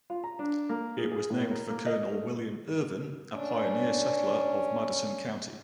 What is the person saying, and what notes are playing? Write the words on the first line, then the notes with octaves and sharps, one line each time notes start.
It was named for Colonel William Irvine, a pioneer settler of Madison County.
F4
A#5
D4
A#3
G#4
G#4
A2
A#4
A#3
D#5
A3
C#4 D4